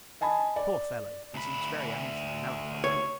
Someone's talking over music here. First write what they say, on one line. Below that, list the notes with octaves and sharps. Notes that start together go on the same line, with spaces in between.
Poor fellow! he seems very uneasy and melancholy.
D#5 G#5 A5 B5
D5
D2 B5
C#5